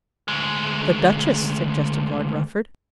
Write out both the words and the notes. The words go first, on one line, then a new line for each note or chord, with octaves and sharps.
"The Duchess!" suggested Lord Rufford.
D2 G#3